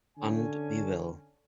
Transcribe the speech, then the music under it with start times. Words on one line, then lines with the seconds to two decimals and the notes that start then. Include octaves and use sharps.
And we will.
0.18 D3 C#4 G#5